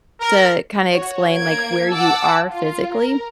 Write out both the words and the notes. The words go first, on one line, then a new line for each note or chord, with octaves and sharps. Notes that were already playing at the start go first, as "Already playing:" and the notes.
to kinda explain, like, where you are physically
A#4
F#4 C#5
A#3 G#6 D7
F#5 A5 D6 E6
F4
A#4